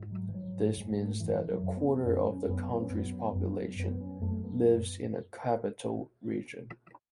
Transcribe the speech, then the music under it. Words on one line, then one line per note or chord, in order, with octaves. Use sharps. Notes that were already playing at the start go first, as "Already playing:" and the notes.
This means that a quarter of the country’s population lives in the capital region.
Already playing: G#2
F#3
E3
G#2 F#3
G#2 G#3
A3
F#2 E3
F#3
F#2
B3
F#2 C#4
C#4
C#4
F#2 B3
B3
C#4
F#2 B3
F#2
F#2 B3
C#4
F#2 A3
B3